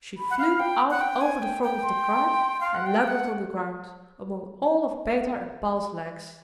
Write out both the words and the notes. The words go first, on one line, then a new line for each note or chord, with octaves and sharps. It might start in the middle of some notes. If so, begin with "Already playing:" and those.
She flew out over the front of the cart and landed on the ground, among all of Peter and Paul's legs!
B5
F#5
F5
G5
F#5
G5
G#5
G5
G5
C6
F5
F#5
G5
F#5